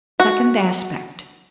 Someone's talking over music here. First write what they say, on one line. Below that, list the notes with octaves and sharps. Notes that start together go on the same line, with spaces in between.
Second Aspect.
F#4